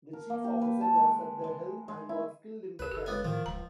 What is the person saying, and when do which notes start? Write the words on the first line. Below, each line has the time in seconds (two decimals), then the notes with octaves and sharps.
The chief officer was at the helm, and was killed in the crash.
0.13 A#4
0.30 A#3
0.44 G4
0.62 B4
0.81 A5
0.96 G#3
1.44 G#3
1.88 G#3
2.09 E4
2.79 C2 G#4 A#4 B4
2.92 F#1 G4 A4
3.06 C#2 B3 G#5
3.25 A2 D#3 F3
3.46 D1 C#2 A#5